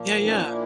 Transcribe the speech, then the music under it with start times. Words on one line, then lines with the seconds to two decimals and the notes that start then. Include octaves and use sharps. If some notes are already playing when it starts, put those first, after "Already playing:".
Yeah, yeah.
Already playing: A#2 F3 A#3
0.24 C#4 D#4
0.49 D4 E4